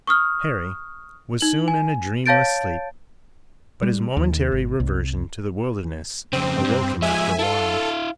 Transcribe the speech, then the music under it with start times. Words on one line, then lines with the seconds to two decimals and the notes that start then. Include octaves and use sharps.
Harry was soon in a dreamless sleep, but his momentary reversion to the wilderness awoke him after a while.
0.07 C#6 D#6 F6
1.41 D#4 F#7
1.68 G#5
2.26 C#5 F5 A5 G6 A6 D7
3.82 G3
4.17 D#2
4.52 G#1
4.80 C2
6.33 F2 C#3 C4
6.64 G2
7.02 F3 G#3 E5 G#5
7.39 E4 A4 F5